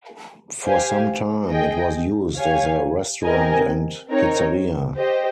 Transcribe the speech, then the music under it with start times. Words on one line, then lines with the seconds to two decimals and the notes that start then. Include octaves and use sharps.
For some time, it was used as a restaurant and pizzeria.
0.64 G4 C5 F5 G#5
1.50 G#4 D#5 G5
2.37 G4 C#5 F5 G#5
3.23 C4 G4 A#4 D#5 G#5
4.09 C4 D#4 A#4 C#5
4.96 G4 C5 D#5